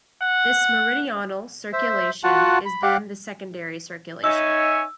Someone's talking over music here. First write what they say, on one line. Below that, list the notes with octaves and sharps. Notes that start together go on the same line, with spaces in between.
This meridional circulation is then the secondary circulation.
F#5
C5 E5
F4 F#4 F#5 A5
B5
G4 F5 F#5 D6
C#4 D#4 C#5 E5 G#5 E6